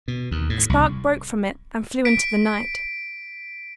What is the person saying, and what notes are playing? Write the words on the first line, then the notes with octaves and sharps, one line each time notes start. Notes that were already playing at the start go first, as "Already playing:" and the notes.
A spark broke from it and flew into the night.
B2
D#2
A2
C2
B6 D7